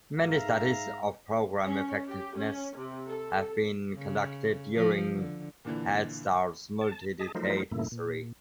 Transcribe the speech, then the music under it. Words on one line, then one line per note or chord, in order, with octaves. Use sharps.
Many studies of program effectiveness have been conducted during Head Start's multi-decade history.
G#2 E5 F5 A#5
C#4
G4
C#4
C3
A4
C#3
F3
D3
A#2 D3 E3
A5
G#4 D#5 A5
F3 F#3 A3 D#4 A#4 C5
G2 A#2 C#3 A3 A#3 E4
A#2